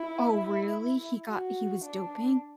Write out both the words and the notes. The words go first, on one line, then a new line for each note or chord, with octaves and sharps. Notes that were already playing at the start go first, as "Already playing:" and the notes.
Oh, really? He got he was doping?
Already playing: E4
F#4
D4